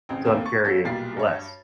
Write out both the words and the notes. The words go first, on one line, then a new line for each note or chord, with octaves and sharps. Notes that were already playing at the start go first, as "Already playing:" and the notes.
so I'm carrying less,
A1 C#3 C4
D#2 A3 A#3 C4
C#6 A6
G1 C#4 F#4 A4
B1 A#2 G3 A6 C7
G2 C#5